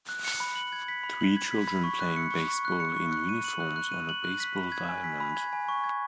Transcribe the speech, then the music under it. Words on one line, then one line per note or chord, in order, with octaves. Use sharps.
Three children playing baseball in uniforms on a baseball diamond.
F#6
C#7
B5
F#7
G#6
B6
B5
F#7
G#6
B6
B5
C#6
F#6
C#7
C#6
C#6
F#6
C#7
C#6
F#6
D#7
F#7
F#6
F#6
D#7
F#7
F#6
B6
B5
G#6
G#5
B6
B5
G#6
G#5
C#6
G#6